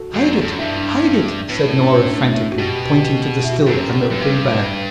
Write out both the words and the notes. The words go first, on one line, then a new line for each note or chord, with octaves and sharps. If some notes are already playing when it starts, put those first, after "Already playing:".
"Hide it, hide it!" said Norah frantically, pointing to the still unopened bag.
Already playing: F#4 A4
F#2 A4
G2 A4
F#2 D4
G2 E4
D4
A2 B3
C#4
D4
E4
F#4
B2 G4
G4
G4
E4
F#4
G4
F#2 A4
G4
B3
F#2
G2